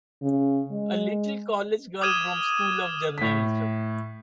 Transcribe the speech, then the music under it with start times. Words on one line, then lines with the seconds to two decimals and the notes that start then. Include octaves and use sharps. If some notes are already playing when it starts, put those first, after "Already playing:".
A little college girl from a School of Journalism!
0.22 C#3
0.71 G#3
2.01 D6 D#6 F6 G#6 D#7 E7
3.18 A2 B6